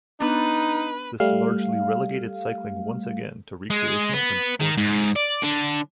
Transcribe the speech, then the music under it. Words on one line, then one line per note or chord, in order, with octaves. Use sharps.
This largely relegated cycling once again to recreational and sports use.
B3 D4 D#4 B4
G3 A3 F5
G#3
B3
D#3
G#2
D5
D3